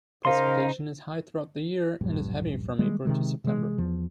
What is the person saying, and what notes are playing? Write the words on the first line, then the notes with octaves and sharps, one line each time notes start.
Precipitation is high throughout the year, and is heavy from April to September.
C#3 D#4 A#4 C5 F5 C6
D1 A#1 G2
D#3 G3 G#3 A#3
C3 D#3 G#3
C3 E3 F#3 G#3
E2 F3